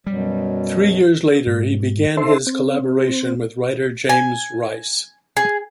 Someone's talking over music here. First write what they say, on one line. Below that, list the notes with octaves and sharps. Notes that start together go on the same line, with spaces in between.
Three years later he began his collaboration with writer James Rice.
F#2 B2 F#3 G3
G#2
D#4 A4 C5 E5 C6
C4
G#5
G#4